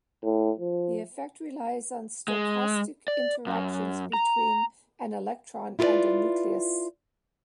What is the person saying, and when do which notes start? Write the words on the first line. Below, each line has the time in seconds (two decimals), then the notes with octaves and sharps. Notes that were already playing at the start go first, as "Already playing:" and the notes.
This effect relies on stochastic interactions between an electron and a nucleus.
0.23 A2
0.59 F3
2.28 G#3
3.08 D5
3.46 F#2
4.13 A#5
5.79 E4 F4 G#4 A4 B4 D5